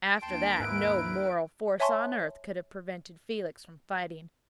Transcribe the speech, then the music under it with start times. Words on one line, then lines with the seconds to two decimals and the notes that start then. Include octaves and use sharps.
After that, no moral force on earth could have prevented Felix from fighting.
0.22 D#2 A#3 D4 G5 A5 C6 D7
0.60 G#2 E4 A#4 B4
1.80 C#5 E5 G#5 A5 C6 C#6